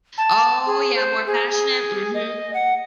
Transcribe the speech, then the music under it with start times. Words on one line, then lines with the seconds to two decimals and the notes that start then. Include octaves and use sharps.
oh yeah, more passionate, mhm.
0.18 A5
0.66 G#4
0.95 C5
1.26 G#4
1.51 G#4
2.14 D#5
2.54 F#5